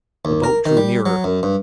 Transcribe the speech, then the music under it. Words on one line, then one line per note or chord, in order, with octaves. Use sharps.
The boat drew nearer.
D#2
A#4
D#3
G3
F#3
F#2
G2